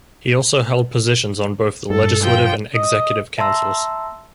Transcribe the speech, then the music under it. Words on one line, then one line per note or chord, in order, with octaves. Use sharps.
He also held positions on both the Legislative and Executive Councils.
G2 A4
F3 G5
D#5
E5 A5 A#5 C6 E6